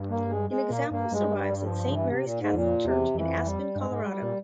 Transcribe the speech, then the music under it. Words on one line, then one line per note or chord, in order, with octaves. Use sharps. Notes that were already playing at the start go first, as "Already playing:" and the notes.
An example survives at Saint Mary's Catholic Church in Aspen Colorado.
Already playing: G2
A#3
G#3
G#3
A#2 A#3
G2 A#3
G2 G#3
G3
G3
F3
C#3
E3
C3
A#2
G#2
F2 A#2
E2 C3
F2 E3
G3
G2 G#3
G#2
G3
A#2